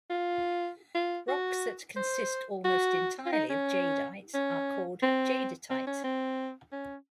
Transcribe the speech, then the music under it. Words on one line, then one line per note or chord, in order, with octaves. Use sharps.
Rocks that consist almost entirely of jadeite are called jadeitite.
F4
F4
F#4
C5
F#4
F4
D#4
C#4
C#4
C4
C4
C#4
C4
C#4